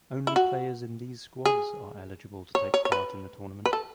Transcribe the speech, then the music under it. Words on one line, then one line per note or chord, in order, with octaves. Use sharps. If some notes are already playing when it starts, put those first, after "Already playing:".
Only players in these squads are eligible to take part in the tournament.
E4
F#4
G#4
C#5
C#5
C#5
B4
B4
A4